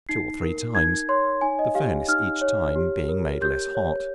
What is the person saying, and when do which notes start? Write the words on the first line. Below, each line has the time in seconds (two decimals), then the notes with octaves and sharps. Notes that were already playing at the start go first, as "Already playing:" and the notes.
Two or three times, the furnace each time being made less hot.
0.09 D#4 C7
0.42 A#4
0.75 D#4 G#6
1.09 C#5 C6
1.41 D#4 G#5
1.59 D#5
1.75 G4 F5
2.08 D#4 F6
2.41 C#5
2.75 G4
3.09 A#4
3.41 G4 G6
3.75 C#5